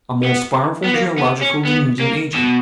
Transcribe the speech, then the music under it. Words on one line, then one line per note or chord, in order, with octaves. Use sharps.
A most powerful geological denuding agent.
B3
B3
A#3
B3
C#4
B3
A#3
B2